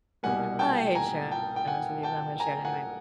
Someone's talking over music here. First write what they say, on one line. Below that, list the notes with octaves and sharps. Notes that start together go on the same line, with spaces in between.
I hate sharing this with you, but I'm gonna share it anyway.
C2 B2 G3 A#3 F#5 G#5
G5 A5
G#5 A#5
G5 A5
G5
F#5 G#5
G5 A5
G#5 A#5
F#5 G#5